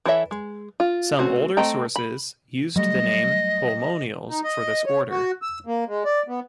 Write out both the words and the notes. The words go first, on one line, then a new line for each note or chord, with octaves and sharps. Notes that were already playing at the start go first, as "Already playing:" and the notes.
Some older sources used the name Polemoniales for this order.
E3 E4 A4 C#5 E5
G#3
F4
A3 C4 C#4 F#4
A3 C4 D#5 G5 A#5
B5
F#3 G3 A3 D#5
D#4
D#5
C#5
F#4
E6
A#3
G#3
D5
B3